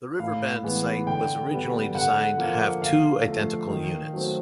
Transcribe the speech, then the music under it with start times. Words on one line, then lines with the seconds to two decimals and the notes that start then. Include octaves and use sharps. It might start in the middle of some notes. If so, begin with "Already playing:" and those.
The River Bend site was originally designed to have two identical units.
0.19 A2 F5
0.63 E3 G#3 B3
1.07 D3 G5
1.51 G3 B3
1.95 D3 F#5
2.38 F3 A#3
2.82 D3 F5
3.26 F3 A3
3.70 D#3
4.13 F#3 A3 C4